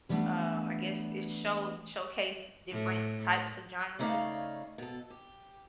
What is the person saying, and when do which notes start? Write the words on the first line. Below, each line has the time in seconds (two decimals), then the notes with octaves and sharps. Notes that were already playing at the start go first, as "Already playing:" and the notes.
um, I guess, it show showcase different types of genres
0.09 E3 G3 A3 B3 D4
2.71 A2
3.99 C#3 A3 D#4 C#5 D5 F5
4.78 B2 A4
5.10 G4